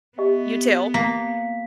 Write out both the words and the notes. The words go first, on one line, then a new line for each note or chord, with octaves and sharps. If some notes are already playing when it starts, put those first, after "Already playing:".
You too.
B3 G4 D#5 E5
A#3 B6